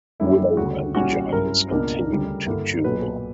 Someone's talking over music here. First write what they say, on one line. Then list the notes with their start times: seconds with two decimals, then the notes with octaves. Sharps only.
Willow and Giles continue to duel.
0.20 F#2 D3 G3 A#3 D4 E4
0.57 D2 C#3 G3 F#4
0.95 B1 A#2 G3 C#4 E4 F#4
1.33 G2 F#3 C#4 E4 A#4
1.70 C#2 B2 A#3 D4
2.08 D2 C#3 G3
2.46 G2 D3 A#3 E4
2.84 B1 A#2 F#3 B4